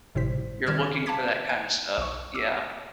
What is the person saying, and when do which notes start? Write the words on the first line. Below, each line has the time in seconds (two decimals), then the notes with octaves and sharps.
you're looking for that kinda stuff. Yeah.
0.15 G#1 A2 C3 G3 C5 B6
0.66 D#3 G3 F6 G6 G#6 E7
1.06 F5 A5 B5 D6 G#6 B6
1.49 G#5 F#6 G#6 D7
1.98 B1 C#6
2.35 D6 E6